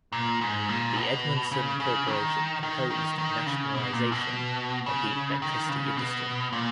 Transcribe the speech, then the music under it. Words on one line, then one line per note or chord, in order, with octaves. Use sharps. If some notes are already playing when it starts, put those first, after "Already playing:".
The Edmundson Corporation opposed nationalisation of the electricity industry.
A#2
G#2
A#2
B2
C#3
C#3
D#3
D#3
D#3
D#3
C#3
B2
A#2
B2
C#3
D#3
C#3
B2
A#2